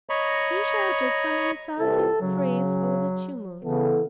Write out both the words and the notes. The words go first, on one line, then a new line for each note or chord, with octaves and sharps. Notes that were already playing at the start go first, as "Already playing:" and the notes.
He shouted some insulting phrase over the tumult.
C#5 D#5 A#5 B5 C#6
C2 C3 E3 A4
C#3 F#3
C#3 E3 B3 A4